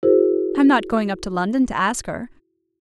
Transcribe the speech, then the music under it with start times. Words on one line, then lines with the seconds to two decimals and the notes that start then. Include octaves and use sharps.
I'm not going up to London to ask her.
0.03 E4 F#4 G#4 A#4 C5